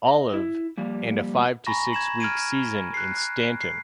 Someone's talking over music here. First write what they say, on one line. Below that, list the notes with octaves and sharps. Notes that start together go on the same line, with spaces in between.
Olive and a five to six week season in Staunton.
D#5
E4
F3 G3 A#3
G#5 A#5 B5 C#6 A#6
G#6 E7 F#7
F6 G#6 D7 D#7
F#6 C7
F#6
C7